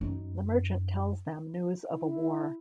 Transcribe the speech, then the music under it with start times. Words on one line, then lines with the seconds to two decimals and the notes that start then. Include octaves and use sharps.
The merchant tells them news of a war.
0.01 F#2 D#4
1.93 E4